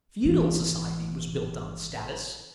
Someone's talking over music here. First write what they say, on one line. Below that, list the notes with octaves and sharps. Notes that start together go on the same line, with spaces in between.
Feudal society was built on status.
G#1 E3